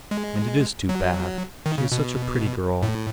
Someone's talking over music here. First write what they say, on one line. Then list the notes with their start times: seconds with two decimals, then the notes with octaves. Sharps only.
"And it is too bad. She is such a pretty girl."
0.11 G#3
0.89 F#3
1.66 D#3
1.78 C#3
1.92 B2
2.82 A2